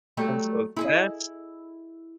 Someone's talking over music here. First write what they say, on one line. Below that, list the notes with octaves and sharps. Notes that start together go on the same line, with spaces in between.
And so that's
F#3 G3 A3
E4 G#4 D#5